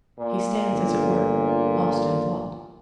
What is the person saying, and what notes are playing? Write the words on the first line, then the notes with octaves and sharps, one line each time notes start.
He stands, as it were, lost in thought.
A#2
G1